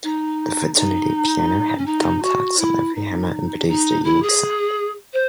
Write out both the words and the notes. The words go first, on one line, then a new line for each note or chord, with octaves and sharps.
The fraternity piano had thumbtacks on every hammer and produced a unique sound.
D#4
D#4
C#4
D#4
F#4
E4
D#4
D#4
E4
G#4
C5